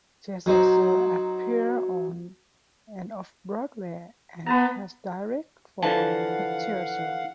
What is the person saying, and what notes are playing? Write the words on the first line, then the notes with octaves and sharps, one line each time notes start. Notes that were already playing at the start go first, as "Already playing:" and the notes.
She has also appeared on and off-Broadway, and has directed for the theater.
F#3 D#4 C5
B3 B4 A5 A#5
D3 E3 F3 F5 F#5 A5